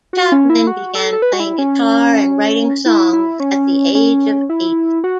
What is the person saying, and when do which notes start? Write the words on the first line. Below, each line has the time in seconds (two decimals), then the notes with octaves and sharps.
Chapman began playing guitar and writing songs at the age of eight.
0.13 F#4
0.32 C#4
0.50 E4
0.67 F#4
0.95 A4
1.13 A4
1.22 B4
1.33 F#4
1.40 E4
1.58 C#4
2.86 E4
3.13 E4
3.40 C#4
3.95 C#4
4.50 E4
5.04 F#4